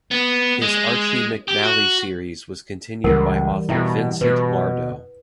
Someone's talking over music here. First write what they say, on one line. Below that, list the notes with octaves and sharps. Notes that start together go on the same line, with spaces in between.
His Archy McNally series was continued by author Vincent Lardo.
B3
G#3
G4
F#4
C#2 E3 G3 A#4 F#5
B2 E4 E5 G5
B2 B4